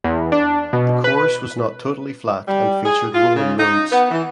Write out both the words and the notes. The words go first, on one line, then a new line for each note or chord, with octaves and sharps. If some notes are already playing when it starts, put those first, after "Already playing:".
The course was not totally flat and featured rolling roads.
E2
D4
B2
B4
G3
G#4
F4
C#3
D#4
B3
E3